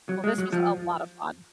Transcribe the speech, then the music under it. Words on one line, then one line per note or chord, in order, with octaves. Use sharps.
Well, this was a lot of fun.
F#3
G#3
F#3
F3